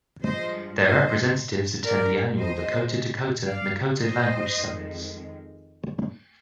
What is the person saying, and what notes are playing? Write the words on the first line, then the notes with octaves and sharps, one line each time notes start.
Their representatives attend the annual Lakota, Dakota, Nakota Language Summits.
G2 F3 G#3 C5 D#5
C5 D#5
A#4 D5
A#2 G#3 C5 D#5
D5 F5
C5 D#5
F2 D#3 G#3